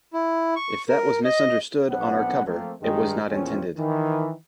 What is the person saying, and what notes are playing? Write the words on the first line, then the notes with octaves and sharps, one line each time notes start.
If that was misunderstood on our cover it was not intended.
E4
C#6
A#4
D#5
B1 B3 C4 D4 B4 F#5
F3 A3 A#3 C4
G2 D#3 G#3
E2 A#2 F3 C4 C#4
D#3 E3